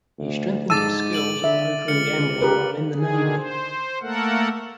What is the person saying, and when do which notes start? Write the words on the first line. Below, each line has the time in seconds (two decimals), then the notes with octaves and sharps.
He strengthened his skills at poker and gambling while in the Navy.
0.19 D2
0.70 G#2 A5 D6 E6 A6 D#7
1.13 D7 F#7
1.44 D3 E5
1.88 C#2 F6 C#7 F#7
2.41 G4 A#4 B4
2.94 D3 D#3 G#4
3.36 C5
4.02 A3 A#3 A4 A#4 F#5